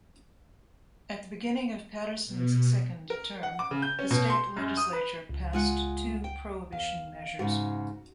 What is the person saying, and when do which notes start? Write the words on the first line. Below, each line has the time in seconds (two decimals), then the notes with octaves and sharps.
At the beginning of Patterson's second term, the state legislature passed two Prohibition measures.
2.26 B2
3.10 A#4
3.43 F#5
3.59 D6
3.71 C#3
3.82 G6
3.99 C#4
4.11 B2
4.30 C6
4.57 F#2
4.77 D#6
4.93 B4
5.29 C#2
5.53 G#3 F4 F#5
6.24 G5
6.72 E2 F5
7.39 G#2 C#3 F#4